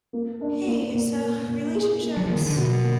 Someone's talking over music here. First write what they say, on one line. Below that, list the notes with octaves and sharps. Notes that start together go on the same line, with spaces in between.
Hey, uh, so relationships
A#3
D4
A#3
A#2
A#3
A#2
G#4
A#3
F#3
F3 A#3
D#3
D3
B2 F#3
A#3